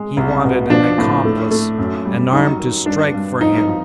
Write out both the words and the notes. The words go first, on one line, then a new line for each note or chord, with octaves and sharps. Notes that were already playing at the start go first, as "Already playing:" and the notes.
He wanted an accomplice--an arm to strike for him.
Already playing: G#3
C2
B2
F3 D4
A2
A3
A3
F#2
G3
F#3 D#4
D#3
G2 D4
G2
F3 D#4
D#4
F3